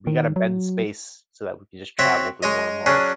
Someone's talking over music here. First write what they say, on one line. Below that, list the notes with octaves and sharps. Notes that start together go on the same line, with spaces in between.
we gotta bend space so that we can just travel through wormholes.
D#3
F#3
C4 F#4 C#5 E5 G5
G#3 C#5 D#5
F#3 C#4 D4 G#4